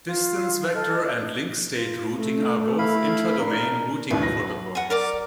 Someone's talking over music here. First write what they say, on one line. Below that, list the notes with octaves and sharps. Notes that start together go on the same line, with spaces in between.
Distance vector and link state routing are both intra-domain routing protocols.
F4
A4 D#5 F6
F4
A3
E4 F5 B5
D4 A#4
A1 D#2 D3 B4 E5
F#3 A#6
F#5 G#5
A#4 D5 D6